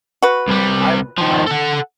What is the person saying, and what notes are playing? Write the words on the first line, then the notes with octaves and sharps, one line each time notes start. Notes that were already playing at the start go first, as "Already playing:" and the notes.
I ru I've
F#4 B4
C2 G3
D#3 F3
A4 F#5